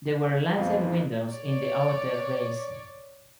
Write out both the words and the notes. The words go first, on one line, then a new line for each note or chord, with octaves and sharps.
There were lancet windows in the outer bays.
A#1 F2 B2 F3
C#5 D5